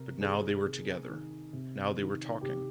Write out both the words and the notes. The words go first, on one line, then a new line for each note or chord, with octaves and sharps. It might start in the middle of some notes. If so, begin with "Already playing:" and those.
But now they were together; now they were talking.
Already playing: C3 A#4
D#3 G#4
C3
D#3
C3
D#3
C3 G4